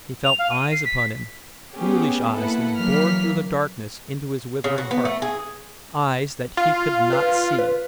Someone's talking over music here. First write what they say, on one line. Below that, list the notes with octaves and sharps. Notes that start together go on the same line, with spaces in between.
He felt eyes upon him--ghoulish eyes that bored through the darkness into his withering heart--eyes that he could not see.
F7
F5
D#7
C7
B6
A3 B3 C#4 G4 G#4
A#3 E4 A4 B4 F#5
E3 F#3 A#3 F6 B6
C#3
F#4
B3
A3
G#4
F4
B4
B4